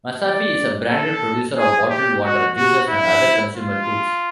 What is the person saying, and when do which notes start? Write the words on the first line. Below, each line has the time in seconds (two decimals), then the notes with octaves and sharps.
Masafi is a branded producer of bottled water, juices and other consumer goods.
0.25 D5
0.91 A4
1.58 G#4
1.90 G4
2.23 F#4
2.56 F#4
2.89 E4
3.56 F4